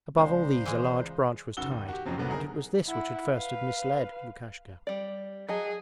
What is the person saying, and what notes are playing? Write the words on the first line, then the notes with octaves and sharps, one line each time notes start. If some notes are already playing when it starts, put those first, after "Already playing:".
Above all these a large branch was tied, and it was this which at first had misled Lukashka.
C#2 C5 D5 G#5
E3 G#3
F1 C#3 F#4 E6 G7
D#2
F#4 G4
F2 C#3 F3 F#3 C4
C2 D3 F#3 B3
D#4 G#4 A#4
E4 F#5
B4 F5
G3 D5
F#3 G#4 D#5 A5